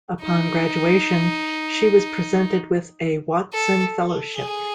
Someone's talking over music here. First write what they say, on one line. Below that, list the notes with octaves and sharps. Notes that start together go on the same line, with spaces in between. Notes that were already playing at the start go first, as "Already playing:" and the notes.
Upon graduation, she was presented with a Watson Fellowship.
D#4
A4
G#4